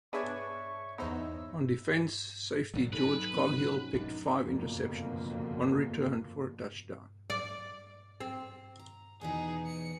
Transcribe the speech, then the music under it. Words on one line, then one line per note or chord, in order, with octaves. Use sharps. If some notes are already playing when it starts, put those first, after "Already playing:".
On defense, safety George Coghill picked five interceptions, one returned for a touchdown.
B3 D4 G#4 B4 C#5 E5 C#6 G#6
E2 B3 D#4 C5 E6
G#2 C3 F#3
A#2 B3 C4 D#4 G#4 A4 B4
F#3
B3 C4 D#4
B2 C#4 F#4
A#1 G#3 D4 D#4
F#1 F2 B2 D3 A#3
D5
C4
A#5
E2 B2 E3 D#4 G#4
C#7